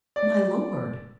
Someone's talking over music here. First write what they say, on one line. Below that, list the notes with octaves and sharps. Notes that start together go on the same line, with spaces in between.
"My lord!"
D5